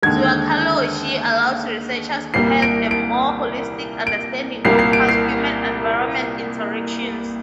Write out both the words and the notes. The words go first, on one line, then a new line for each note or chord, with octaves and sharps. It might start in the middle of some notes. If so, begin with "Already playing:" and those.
Zooarchaeology allows researchers to have a more holistic understanding of past human-environment interactions.
D#2 D3 G#3 G#6
C2 A#2 G3 A#3 C7
D7
D7
D7
C2 A#2 G3 A#3 C7
C7
D7
C7